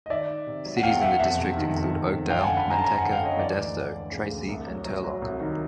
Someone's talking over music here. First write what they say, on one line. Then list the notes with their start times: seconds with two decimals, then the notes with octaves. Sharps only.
Cities in the district include Oakdale, Manteca, Modesto, Tracy, and Turlock.
0.06 D#5
0.10 D#3 D5 E5
0.28 D#3
0.47 C3
0.65 F#3
0.77 F#5
0.83 E2 F5 G5
1.01 E2 E5 F#5
1.19 F2 E5 F#5
1.38 C3
1.56 D#3
1.75 F2
1.93 F2
2.11 F2
2.29 F#2 F5 G5
2.39 A5
2.43 D3 F#5 G#5
2.57 A5 B5
2.66 D3 G#5 A#5
2.79 A5
2.84 F#2 G#5 A#5
2.98 D3 F#5 G#5
3.12 F5 G5
3.21 D3 C#5 D#5
3.39 E3 D5
3.58 D2
3.76 D2
3.94 D2
4.12 C#3
4.31 D2
4.49 C2
4.67 F#3
4.85 F#3
5.04 F#3
5.22 C2
5.40 D#3